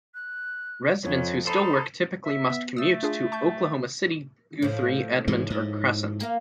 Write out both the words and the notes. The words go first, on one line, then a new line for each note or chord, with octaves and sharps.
Residents who still work typically must commute to Oklahoma City, Guthrie, Edmond or Crescent.
F#6
F2 C#5
D#4 A4 C5 B5
E5
B3
A3 D#6 E6
D4 F4 G#4
A5 C#6 G6
A2 F3
G#2 E3 G#3
G#2
A#3 A#4 F5